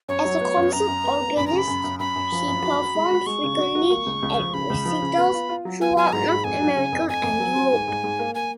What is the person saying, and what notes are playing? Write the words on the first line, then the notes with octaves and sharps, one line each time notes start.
As a concert organist, she performs frequently at recitals throughout North America and Europe.
F#2 C#5
F#3
B3
F#2
F#2 A#5
F#2
B3
B3
F#2 B5
C#3 A#5
B5
F#2
F#2
F#2 B5
F#2
F3
F#2
F#4
F#4
G#3
F#4
G#3 C#6
C#3
F#4
F#4
A#3
C#2
C#2
F3
C#3 B5
C#2
F3
C#3
B3
F4
F4
F#3
B3 G#5
F#3 G#5
G#2 A#5
G#2 B5
F2 G#5
F#3
C#3
F2
F2 G#5
F2
F#3
F#3
G#2
G#2
G#2
A#3
A#3 G#5